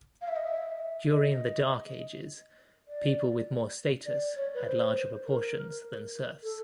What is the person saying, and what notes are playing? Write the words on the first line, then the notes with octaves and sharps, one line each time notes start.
During the Dark Ages, people with more status had larger proportions than serfs.
F5
E5
D#5
E5
D#5
D5
D5
C#5
B4
C5
A#4
A4